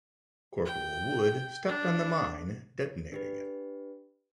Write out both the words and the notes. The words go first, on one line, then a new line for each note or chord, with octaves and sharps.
Corporal Wood stepped on the mine detonating it.
G5
D4
D4 G4 B4